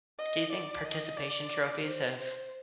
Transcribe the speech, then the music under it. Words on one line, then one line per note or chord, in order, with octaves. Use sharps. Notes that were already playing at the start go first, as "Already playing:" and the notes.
Do you think participation trophies have
D#5
D5
D#5
D5
C5
C5